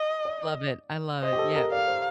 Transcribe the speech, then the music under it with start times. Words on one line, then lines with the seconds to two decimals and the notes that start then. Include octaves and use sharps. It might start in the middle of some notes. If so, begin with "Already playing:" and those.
Love it. I love it. Yeah.
Already playing: D#5
0.25 D5
1.22 C5 D#5
1.33 G4
1.38 A4
1.56 A#4
1.71 D5 F5
1.88 C5